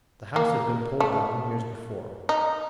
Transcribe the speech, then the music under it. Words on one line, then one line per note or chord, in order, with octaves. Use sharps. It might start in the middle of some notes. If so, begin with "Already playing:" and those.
The house had been pulled down years before.
A#3
A3
D#4